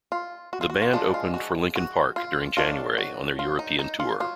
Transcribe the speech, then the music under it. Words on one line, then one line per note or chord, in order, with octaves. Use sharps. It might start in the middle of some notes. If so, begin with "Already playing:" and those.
The band opened for Linkin Park during January on their European tour.
F4
F#4
F4
F#4
F4
F3 G#3 D4 D#4
F4
F#4
F#4
F4
D#3 F#3 D4 F4
F#4
F4
D#4
D#4
F4
F#3 F4